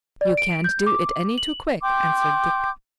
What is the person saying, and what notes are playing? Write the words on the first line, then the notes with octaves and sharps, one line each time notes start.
"You can't do it any too quick," answered Dick.
D5
D7
G6
D6
F#7
G5 C6 D6 G6